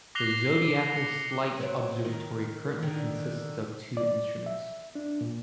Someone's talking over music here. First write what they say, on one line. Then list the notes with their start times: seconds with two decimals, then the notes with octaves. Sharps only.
The Zodiacal Light Observatory currently consists of two instruments.
0.15 D6 F#6 A#6 C7 F7 G7
0.96 C#7
1.58 F#3 B3 C4
2.05 D#3
2.83 D3 D#3
3.97 D5
4.46 E5
4.95 D4
5.21 A#2